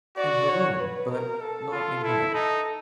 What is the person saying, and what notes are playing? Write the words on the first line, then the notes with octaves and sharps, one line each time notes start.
'In her room, but not in bed.'
F#4 D5
C#5
B4
A#4
A4
F4
E4 A4
D#4 A4